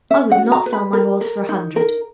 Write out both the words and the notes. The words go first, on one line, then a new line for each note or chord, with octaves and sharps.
I would not sell my horse for a hundred.
C#4 E5
F#5
F#4
A#5
B4
B5
A#4
A#4
D#4
A#4